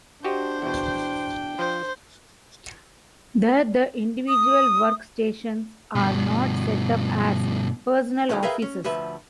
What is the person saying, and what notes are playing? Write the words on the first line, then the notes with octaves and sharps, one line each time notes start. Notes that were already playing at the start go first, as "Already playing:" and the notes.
There, the individual work stations are not set up as personal offices.
D4 F#4 G4 C5 D#5
E2 B2 G5
F3 C5
D#6
G2 B2
D#3 F#3 G#3 A3 C#4
G#4 A#4 B4 E5 F5 G5
C#4
D2 F3 B4 E5